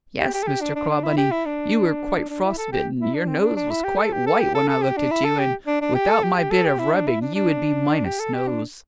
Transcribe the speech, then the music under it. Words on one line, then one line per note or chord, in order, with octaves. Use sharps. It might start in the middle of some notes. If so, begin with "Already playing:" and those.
"Yes, Mr. Clawbonny, you were quite frostbitten; your nose was quite white when I looked at you, and without my bit of rubbing you would be minus nose."
G4
G4
A4
G4
D4
D4
D4
E4
G4
E4
D4
D4
D4
E4
A4
G4
E4
D4
C4
D4
D4
E4
G4
A4
G4
A4
G4
A4
A4
G4
D4
E4
A4
G4
D4
D4
G4
A4
G4
G4
A4
G4
E4
D4
E4
D4
D4
G4
A4
G4
D4